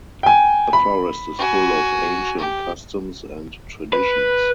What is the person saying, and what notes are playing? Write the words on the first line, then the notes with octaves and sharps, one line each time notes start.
The Forest is full of ancient customs and traditions.
G5 G#5
B5
F#4 G#5
G4
B4